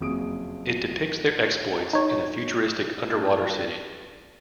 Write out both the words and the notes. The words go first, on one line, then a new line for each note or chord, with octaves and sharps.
It depicts their exploits in a futuristic underwater city.
F#1 F2 G#4 D#6 D7
D#4 C#5